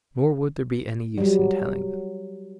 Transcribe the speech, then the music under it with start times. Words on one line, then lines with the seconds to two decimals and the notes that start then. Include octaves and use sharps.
Nor would there be any use in telling them.
1.18 F#3 G3